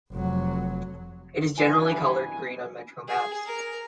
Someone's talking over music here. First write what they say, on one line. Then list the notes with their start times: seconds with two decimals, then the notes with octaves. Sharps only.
It is generally coloured green on Metro maps.
0.12 F1 F#3
1.58 G2 B2 E3 G#5
3.08 G#4
3.46 A#4